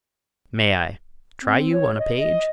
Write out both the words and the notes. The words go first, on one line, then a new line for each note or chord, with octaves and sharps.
"May I try you on a page?"
C4
C#5
D#5
D#5